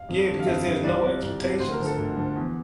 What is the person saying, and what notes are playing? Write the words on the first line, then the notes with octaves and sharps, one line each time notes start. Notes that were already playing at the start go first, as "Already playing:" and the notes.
Yeah, because there's no expectations.
Already playing: F5
F2
D3 G3
F5
F2 E5
D3 G3
C2 D5
C3 F3
C2
C3 F3
D2 C5
A#4
D3 F3
A4
D2
D3 F3
E2